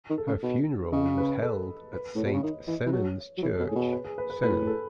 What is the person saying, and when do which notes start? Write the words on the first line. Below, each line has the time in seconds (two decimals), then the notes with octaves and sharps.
Her funeral was held at Saint Sennen's Church, Sennen.
0.10 D#3
0.18 A4
0.27 C#3
0.42 B2
0.92 C#3 D#5
1.18 B4
1.42 A4
1.93 B4
2.15 A2 C#5
2.25 B2
2.33 C#3
2.43 D#3 D#5
2.67 E3 D#5
2.86 E3
2.92 F#3 C#5
3.38 F#3
3.42 E3 C#5
3.55 A4
3.60 B2
3.68 G#4
3.71 A2
3.75 B2 C#5
3.92 B4
4.05 G#4
4.18 B4
4.30 B4
4.43 A2 B4
4.67 A4